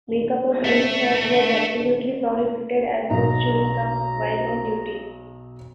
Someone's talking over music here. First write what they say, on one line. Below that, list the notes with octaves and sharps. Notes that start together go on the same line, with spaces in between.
Makeup of any sort was absolutely prohibited, as was chewing gum while on duty.
A3
B1 D#4 A#5